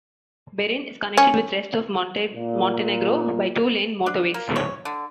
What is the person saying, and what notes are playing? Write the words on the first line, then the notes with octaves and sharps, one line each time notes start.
Berane is connected with rest of Montenegro by two-lane motorways.
C#4
A#2
D4
A#3
C#5
D3